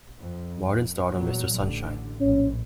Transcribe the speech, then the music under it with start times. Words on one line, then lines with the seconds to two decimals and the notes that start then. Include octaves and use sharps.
Martin starred on "Mr. Sunshine".
0.21 F2
1.13 E2 A#2 F#3
1.56 A1 D3
2.21 A#1 A2 C#4